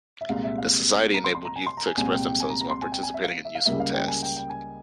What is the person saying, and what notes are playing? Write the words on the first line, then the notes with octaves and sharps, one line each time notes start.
The Society enabled youth to express themselves while participating in useful tasks.
E5
C2 A#2 G#3 F5
E5
F5
A#5
C6
C6
A#5
G#5
C6
A#5
G#5
C2 A#2 G#3 C4 G#5
G5
G5
G#5
A#5
A#5
C6
G#5
G5
G#5
E5
F5
E5
F5
C#2 C#3 G3 A#3 E5
F5
G5
G#5
G5
G5
G#5